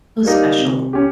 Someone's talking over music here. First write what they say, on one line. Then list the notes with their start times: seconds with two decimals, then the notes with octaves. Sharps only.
How special.
0.24 G3 A#3 D#4 G4
0.58 C3
0.93 C#4 G4